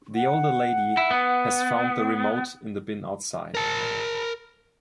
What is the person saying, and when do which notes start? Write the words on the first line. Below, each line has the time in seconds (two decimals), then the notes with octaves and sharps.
The older lady has found the remote in the bin outside.
0.15 F#5
0.97 E4
1.11 B3
3.55 A#4 A5